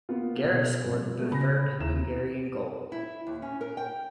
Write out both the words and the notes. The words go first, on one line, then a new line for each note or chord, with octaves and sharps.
Gera scored the third Hungarian goal.
A#3 B3 F4
B2
G2 C3 F3
G#3 A3 B3
C#3 B5 A#6
D#2 E4 A#5 E7
E4
D#2
C#4
A#4
G5